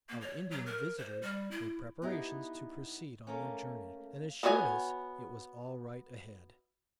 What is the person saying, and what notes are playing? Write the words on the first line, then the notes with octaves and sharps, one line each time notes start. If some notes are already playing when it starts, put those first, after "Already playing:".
Our Indian visitors made preparations to proceed on their journey, and assured us it was all right ahead.
A#3
C#5
F#3
A#4
C5
G3
E4
B3 D#4 E4 G4
A3 A#3 C#4
B3 F#4 C#5 D5 G#5